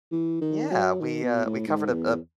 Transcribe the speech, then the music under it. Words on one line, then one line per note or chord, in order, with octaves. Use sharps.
Yeah, we, uh, we covered a a,
E3
D#3
F#3
D#3
B2
A2
G#2
E2